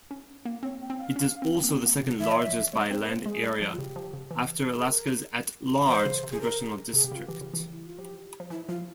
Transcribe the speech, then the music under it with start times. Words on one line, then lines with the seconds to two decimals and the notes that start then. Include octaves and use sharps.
It is also the second-largest by land area, after Alaska's at-large congressional district.
0.11 C#4
0.45 A#3
0.63 C4 C#5
0.81 G5
0.90 C4
0.98 F5
1.16 C#4
1.42 C4
1.55 C4
1.64 A#3
1.69 C4
1.86 A#3
2.03 C3
2.20 E3 E5
2.32 C#5
2.42 E5
2.47 F3
2.73 G#3 C#5
2.91 C4 C5
3.04 A#4
3.08 A#3 C5
3.26 G#3 G#4
3.43 G3
3.61 F3
3.73 F4
3.78 C#3 G4
3.96 F3
4.13 C#3
4.31 E3
4.78 G#4
4.84 A#4
5.88 E3 C5
6.06 C#3
6.23 C3
6.32 G#4
6.41 A#4
6.93 C3 G#4
7.04 C3 G4
7.11 C#3 F4
7.27 E3 G4
7.41 C#3
7.54 E3
7.71 E4
7.85 F4
7.99 F3 G4
8.40 F3
8.50 E3 E4
8.69 F3 F4